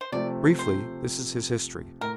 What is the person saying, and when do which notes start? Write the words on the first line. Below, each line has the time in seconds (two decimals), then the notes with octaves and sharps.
Briefly, this is his history.
0.01 C5
0.12 C3 F3 A3 C4 D5
0.59 C5
2.01 A2 A#4